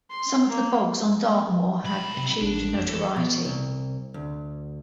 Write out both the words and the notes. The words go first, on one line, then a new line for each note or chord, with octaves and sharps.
Some of the bogs on Dartmoor have achieved notoriety.
C6
A#3
B1 B5
C3
A1 D4
F2
E3 A4
B2
C2
D2